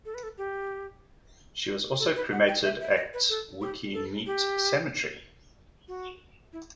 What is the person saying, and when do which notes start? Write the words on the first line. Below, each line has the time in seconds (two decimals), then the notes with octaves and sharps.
She was also cremated at Waikumete Cemetery.
0.05 A4
0.14 B4
0.23 A4
0.38 G4
1.99 A4
2.16 B4
2.32 F#5
2.48 G5
2.64 E5
2.81 E5
2.97 D#5
3.13 B4
3.29 A4
3.61 G4
3.94 A4
4.26 G4
5.88 F#4
6.53 E4